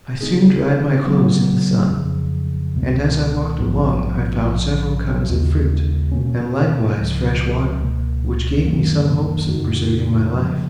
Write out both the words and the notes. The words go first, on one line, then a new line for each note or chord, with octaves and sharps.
I soon dried my clothes in the sun, and as I walked along I found several kinds of fruit, and likewise fresh water, which gave me some hopes of preserving my life.
C#3 G#3 B3 D#4 G#4
C#3 F#3 B3
F2 C#3 F3
C#2 B2 G#3 B3
A#1 G#2 F3 B3
A#1 G#2 F3
D#2 C#3 G#3 B3 F4
B2 A#3 C#4
C#2 C#3 F3 G#3
C#2 B2 A#3
F#2 D#3 A#3
F2 C#3 G#3 D#4 F#4
C#3 F3 A#3